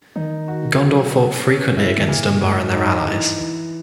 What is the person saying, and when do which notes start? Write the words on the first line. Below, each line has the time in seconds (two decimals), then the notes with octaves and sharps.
Gondor fought frequently against Umbar and their allies.
0.16 D#3 D#4
0.48 F#4
0.81 F#3
1.12 B3
1.45 C#4
1.77 E4
1.98 D#3
2.09 A#2 C#3
2.31 B2
2.41 F#2 G#3
2.52 G#2
2.73 D#4
3.05 E3
3.38 E3